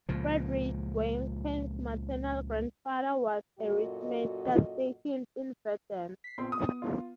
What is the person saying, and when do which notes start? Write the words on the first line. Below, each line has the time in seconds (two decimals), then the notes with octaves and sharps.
Friedrich Wyneken's maternal grandfather was a Rittmeister stationed in Verden.
0.09 C#2 A#2 F3
3.60 F#2 A#2 F#4 A4 D#5
6.24 B6 C7
6.38 A#1 B3 C4 C6
6.52 D#6
6.66 B3
6.82 F4